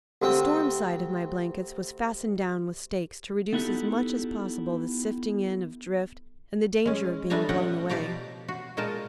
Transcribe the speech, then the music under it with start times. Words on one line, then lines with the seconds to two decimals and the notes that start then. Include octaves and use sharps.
The storm side of my blankets was fastened down with stakes to reduce as much as possible the sifting-in of drift and the danger of being blown away.
0.22 D2 C3 C4 G5
3.53 B3 D#4 E4 F#4 G4 A4
6.85 G#3 C#4
7.30 G3 A3 B3 D4 G#5 A#5
7.49 C#4 G4 D#5 F#5 G5
7.89 B2 F3 G4 D5 A#5
8.48 F#4
8.77 A#2 G#3 A#4 G5 A5